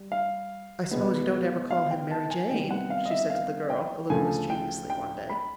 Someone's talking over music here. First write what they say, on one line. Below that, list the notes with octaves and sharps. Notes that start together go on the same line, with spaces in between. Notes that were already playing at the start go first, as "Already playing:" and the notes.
"I suppose you don't ever call him 'Mary Jane,'" she said to the girl, a little mischievously, one day.
Already playing: G3
F5
B2 G#3 B3
F5
G5
A5
G#5
C3 D#3 G3 B3 G5
F#5
F5
D#5
E5
F5
G5
D2 C#3 F3 A3 G#5
G5
G5
B5